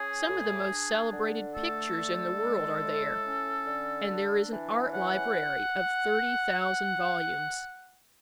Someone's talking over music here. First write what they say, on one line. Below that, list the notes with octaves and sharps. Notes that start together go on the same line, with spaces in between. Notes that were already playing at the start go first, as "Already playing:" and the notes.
Some of the most celebrated pictures in the world are there, and there is an art library of thirty thousand volumes.
Already playing: C#4 G#4
A2
D4
D3
A3 A4
D3
G#3
A2
C#4
D3
D4
E3
C#4 F#5